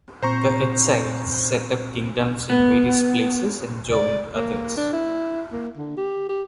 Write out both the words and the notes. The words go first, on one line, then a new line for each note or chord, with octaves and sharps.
The Exiles set up kingdoms in various places and joined others.
A#2 C4 C5 A#5 C#6
B3
D5
A#3
D4
E4
A#3
D3
G4
G4